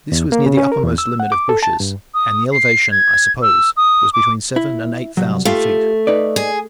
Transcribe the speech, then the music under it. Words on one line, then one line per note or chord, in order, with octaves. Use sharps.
This was near the uppermost limit of bushes, and the elevation, I suppose, was between seven and eight thousand feet.
E2
A#3
C#3
C#4
A#4
E2
E6
F#5
D6
A4
A5
G2
D#6
C7
G#6
E6
D#6
D6
E4
C2 F#2 F#3
A3 F4 G4 F5
D#4 B4 D5
G#4